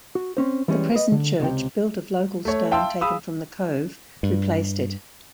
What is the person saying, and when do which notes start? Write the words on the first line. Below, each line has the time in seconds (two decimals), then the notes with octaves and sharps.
The present church, built of local stone taken from the cove, replaced it.
0.15 F#4
0.37 C4 C#4 C5
0.68 E3 G3 G#3 C#4
0.92 B4 D#5
1.12 D3
1.40 C#2 C3 G5
2.45 A3 C#5
2.71 E5 F5 G5 A5 C6 E6
3.01 G#4 F5 B5 D#6 E6
4.23 G2